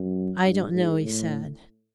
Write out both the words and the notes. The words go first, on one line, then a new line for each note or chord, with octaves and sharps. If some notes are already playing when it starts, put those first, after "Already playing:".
"I don't know," he said.
Already playing: F#2
G2
G#2
A2